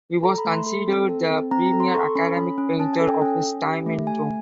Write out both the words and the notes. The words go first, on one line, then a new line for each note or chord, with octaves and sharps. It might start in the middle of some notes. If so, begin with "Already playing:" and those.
He was considered the premier academic painter of his time in Rome.
A4 A#5
B5
A3
C6
A4 B5
C4
A4
C4
C4 A#5
A#5
A4
C6
A4 C#6
C#4 B5
C#4 B5
C#4
C#4 A5
G#5
A4
G5
C#4
C#4
G4
A3
A3 G#5